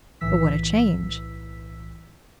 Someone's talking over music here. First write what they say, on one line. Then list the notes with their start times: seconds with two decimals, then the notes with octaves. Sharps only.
But what a change!
0.21 B1 A2 E3 E6 B6